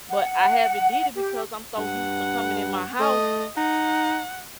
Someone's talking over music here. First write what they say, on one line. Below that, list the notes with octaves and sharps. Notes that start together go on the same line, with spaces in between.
but I haven't did it because I'm so used to coming in my house.
F#5
G4
G2 F#5
A3 D#5
D#4 F#5